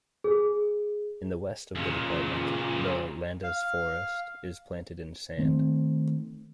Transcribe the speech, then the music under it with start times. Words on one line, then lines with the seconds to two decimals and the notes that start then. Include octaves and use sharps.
In the west of the department, the Landes forest is planted in sand.
0.24 G#4
1.75 C#2 A#2
3.44 F5
5.38 D#3 A3 C4